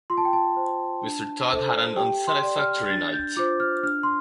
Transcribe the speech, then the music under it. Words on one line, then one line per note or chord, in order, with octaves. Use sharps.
Mr Tod had had an unsatisfactory night.
F4 C6
A5
G5
A5
C5
D4
A4 C5
G4 G5
C6
D5
F6
D4 A6
G6
F4 C5 D6
F6
D4 F6
C6